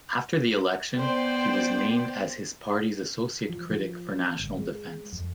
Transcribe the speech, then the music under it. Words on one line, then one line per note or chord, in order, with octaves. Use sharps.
After the election, he was named as his party's associate critic for National Defense.
B3 C5 D5 G5
F3
F3
G1
G#3
F2